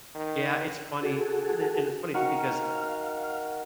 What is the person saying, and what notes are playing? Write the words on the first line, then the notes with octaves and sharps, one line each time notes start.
Yeah, it's funny and i it's funny too because,
D#3
F#4 G#4 A4
D#3 F#4 F5 C#6